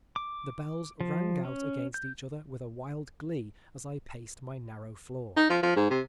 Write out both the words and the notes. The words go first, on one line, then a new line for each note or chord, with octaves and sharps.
The bells rang out against each other with a wild glee as I paced my narrow floor.
D6
F3
C#4
G6
D#4
F3
F3
G#2
C3